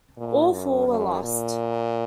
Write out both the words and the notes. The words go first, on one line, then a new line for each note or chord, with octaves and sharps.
All four were lost.
A#2
F#2
F#2
A#2